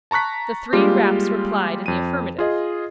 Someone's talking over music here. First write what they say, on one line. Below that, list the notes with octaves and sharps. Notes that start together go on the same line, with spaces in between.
The three raps replied in the affirmative.
A5 A#5 C#6 F#6 B6
G3 G#3 A#3 F4 G4
F2 D#7
F4 G#4 D#5